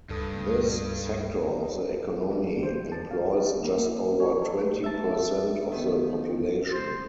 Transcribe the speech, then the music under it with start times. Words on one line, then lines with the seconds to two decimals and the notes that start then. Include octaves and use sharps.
This sector of the economy employs just over twenty percent of the population.
0.09 C#2 G2 A4 D#6
2.09 F4
2.31 D4
2.63 C5
2.92 A5
3.11 F5
3.35 D#4
3.64 A#3
3.86 E4
4.20 C#5
4.41 A4
4.84 E5 A5
5.72 D#3 B3
6.71 C5